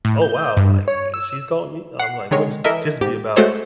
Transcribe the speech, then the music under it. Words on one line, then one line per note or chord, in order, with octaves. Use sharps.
"Oh, wow." like, uh, "She's calling me?" and I'm like, "What th this be about?"
A2
G6
G2
C#5
E6
F#5 C7
D3 D#3 G#3 C#5
E3 A4 A#4 D#5 E5
G#2 G4
G#3 A3 F#4 A4 C5 C#5